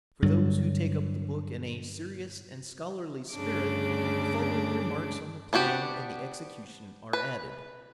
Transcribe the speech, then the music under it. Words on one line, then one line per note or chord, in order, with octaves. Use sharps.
For those who take up the book in a serious and scholarly spirit, the following remarks on the plan and the execution are added.
G2 D3 F#3
D2 G2 C#3 D4 D6
B3 D4 F#4 G4
B4